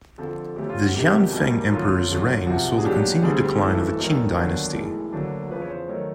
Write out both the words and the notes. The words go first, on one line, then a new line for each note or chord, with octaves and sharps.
The Xianfeng Emperor's reign saw the continued decline of the Qing dynasty.
F2 D3 F3 A4
D2 D3 F3 A3 C#4 G4
F4
F#4
F2 C3 D#3 F#3 B3 G4
B1 B2 G3 A#3
F#2 D3 F#3 B3 F4
F#2 D3 F#3
C2 C3 F3 F#4
G#4
B1 A#2 F#3 B3 D4 G4
D2 D3 G3 C4 G#4
G4
G#1 G2 E3 A3 A4
F1 E2 B2 F#3 A3 A#4
D#2 D3 F#3 B3 D4
B1 A2 E3 G#3
D2 D3 F#3 A#3 D4
E2 C#3 F3 B4
C#5
C5
D#3 F#3 A3 C#5